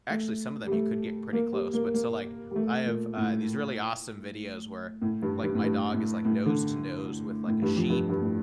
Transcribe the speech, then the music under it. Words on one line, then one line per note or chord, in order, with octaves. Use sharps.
actually, some of them, you could get pretty close. But so, like, I have, uh, these really awesome videos where, like, my dog is, like, nose to nose with, like, a sheep,
A3
G3
A3
A#3
G3
A#3
A#3
G3
A3
A#2
A2
A2
G2
G2
A2
G2
A2
A2
D3
A2
G2
F2
G2
G2
A2